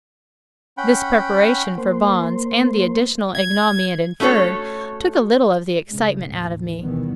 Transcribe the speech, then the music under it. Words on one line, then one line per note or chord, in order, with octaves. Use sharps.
This preparation for bonds, and the additional ignominy it inferred, took a little of the excitement out of me.
C#4 F#5 G5 B5
A#3 C5
G#6
A3 C#4 F#4 A4 C#5
C#3 G#3
D#2 A2
D2 B2 D#3 E3 G3 B3